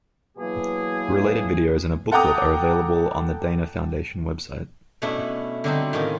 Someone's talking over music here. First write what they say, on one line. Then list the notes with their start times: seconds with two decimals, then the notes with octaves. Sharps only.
Related videos and a booklet are available on the Dana Foundation website.
0.37 B2 E3 F#3 A#3 G#4
2.11 A4 F#5 G5 A#5 D6 D#6
5.02 B2 A3 C#4 D4 E4 B4
5.64 D3 F#3 G3 C4 D4 D#4
5.93 A2 D#3 C#4 F4